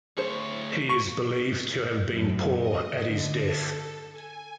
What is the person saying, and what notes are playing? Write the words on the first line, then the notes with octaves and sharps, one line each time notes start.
He is believed to have been poor at his death.
D2 G#4 C5 C#5
C#6
F#2
D#5
D3
A4
G#5